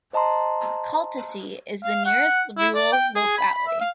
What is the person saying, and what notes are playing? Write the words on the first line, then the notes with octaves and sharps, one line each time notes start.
Kaltasy is the nearest rural locality.
C5 D#5 A5 A#5 C6
F5
F#5
E4
D5
G5
G#4
B5
B5
E5
F5